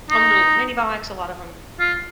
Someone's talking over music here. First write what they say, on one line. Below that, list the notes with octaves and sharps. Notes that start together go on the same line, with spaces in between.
on their little minibikes. A lot of 'em,
D#4
F4